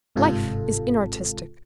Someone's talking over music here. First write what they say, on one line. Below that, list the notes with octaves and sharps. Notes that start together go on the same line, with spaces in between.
Life is inartistic.
G1 G#2 C3 F4 A4